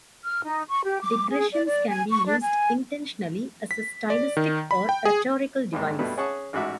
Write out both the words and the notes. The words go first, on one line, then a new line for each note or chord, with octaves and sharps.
Digressions can be used intentionally as a stylistic or rhetorical device.
F6
D#4
C#6
G4
D6
G#4
D5
D5
G#5
C#6
D4
G#5
B6
D5
D#3
B5
G5
G#4
G#1 D#2 G#2
G2 B2 A3 B4
C#4 G#4 F#5 A5 C#6 D#6
A1 G#2 F#4 E5 D6